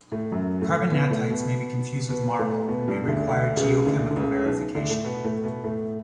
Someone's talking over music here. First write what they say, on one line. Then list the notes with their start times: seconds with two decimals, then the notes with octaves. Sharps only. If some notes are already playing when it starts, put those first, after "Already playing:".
Carbonatites may be confused with marble, and may require geochemical verification.
0.12 A2 A3
0.32 F#2 F#3
0.61 A2 A3
0.91 B2 B3
1.10 A2 A3
1.30 B2 B3
2.09 B2 B3
2.39 A2 A3
2.68 B2 B3
2.88 G2 G3
3.04 C#3
3.08 D2 D3
3.27 D2 D3
3.57 C#2 C#3
3.86 D2 D3
4.11 D3
4.16 C#2 C#3
4.46 B1 B2
4.75 D2 D3
4.89 A2 A3
5.05 B2 B3
5.24 A2 A3
5.44 B2 B3
5.64 A2 A3